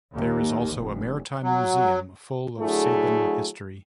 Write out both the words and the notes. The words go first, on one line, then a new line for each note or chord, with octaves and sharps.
There is also a maritime museum full of Saban history.
D#2
F1
F#3
D3 F#3 A3 E4 G#4